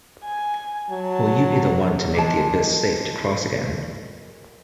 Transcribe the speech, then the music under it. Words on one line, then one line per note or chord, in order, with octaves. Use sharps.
Will you be the one to make the Abyss safe to cross again.
G#5
F#3 A5
A#2 G#3 A5